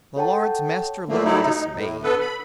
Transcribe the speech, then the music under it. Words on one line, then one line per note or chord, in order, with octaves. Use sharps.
The Lords-Master looked dismayed.
A4 C#5 F#5 G5 A5
A2 D3 F3 A3 A#3
A2 F#3 G3 A3 D#4 E4
D#4
A2
D3 B3 A4 B4
B5